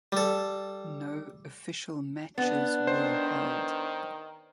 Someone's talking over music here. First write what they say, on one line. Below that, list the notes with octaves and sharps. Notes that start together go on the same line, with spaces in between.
No official matches were held.
G3 A4
B3 D4
D#3 C5